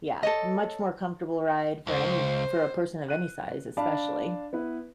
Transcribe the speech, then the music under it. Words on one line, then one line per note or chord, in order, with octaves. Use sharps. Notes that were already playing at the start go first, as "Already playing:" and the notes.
Yeah, much more comfortable ride for any for a person of any size, especially.
A4 C#5 D#5
C#2 C5
F#6 D#7
D4 D5 F5 A5 B5
B3 E4 B4